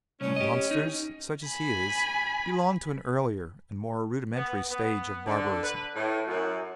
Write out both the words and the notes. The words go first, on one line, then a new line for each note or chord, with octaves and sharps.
Monsters such as he is belong to an earlier and more rudimentary stage of barbarism.
C2 A2 C#4
G4 D#5
D#4
G#5 B5
B3
B3
D3
B4
A2
F#2